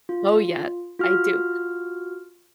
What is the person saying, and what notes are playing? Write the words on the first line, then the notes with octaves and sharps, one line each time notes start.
Oh, yeah. I do.
F4
F4 F#4 F6